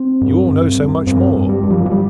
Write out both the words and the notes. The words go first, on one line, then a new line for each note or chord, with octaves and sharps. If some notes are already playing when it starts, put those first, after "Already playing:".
You all know so much more.
Already playing: C4
G2
G2
G2
G2 C4
G2
G3
G2
F3
F3
G3